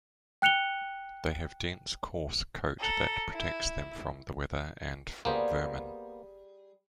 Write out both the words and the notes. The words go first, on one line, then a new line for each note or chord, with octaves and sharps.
They have dense coarse coat that protects them from the weather and from vermin.
G5 F#6 C#7 F7 G7
A4 A#5
E4
G3 A#3 B3 G#4 C5